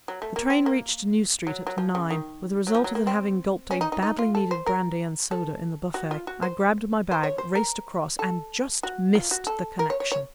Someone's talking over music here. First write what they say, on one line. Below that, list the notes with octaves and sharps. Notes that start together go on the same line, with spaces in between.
The train reached New Street at nine, with the result that having gulped a badly needed brandy and soda in the buffet, I grabbed my bag, raced across--and just missed the connection!
F#3
A3
A#3
C4
A#3
F#3
F#3
F3
C#3
D#3
F#3
F3
F#3
A#3
C4
C#4
D#4
D#4
D#4
F4
A4
C5
A#4
A4
F#4
F4
F#4
C5
C5
C#5
C5
A#4
A4
F#4
F4
F#4
A4
A#4
C#5
C#5
C#5